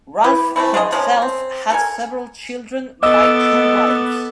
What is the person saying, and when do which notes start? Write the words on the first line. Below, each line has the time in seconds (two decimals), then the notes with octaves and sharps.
Ralph himself had several children by two wives.
0.24 E4 G4 B4
0.56 E3 A3 C4 E4
0.74 D4 F4 G#4 D#5
0.92 C3 F3 A#3 C#4
1.22 C4
1.70 A3 A4 A#4 G#5
3.03 B3 A4 D#5 D6 E6